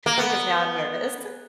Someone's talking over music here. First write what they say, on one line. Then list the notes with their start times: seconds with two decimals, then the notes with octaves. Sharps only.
Because now I'm nervous.
0.06 A#3
0.18 B3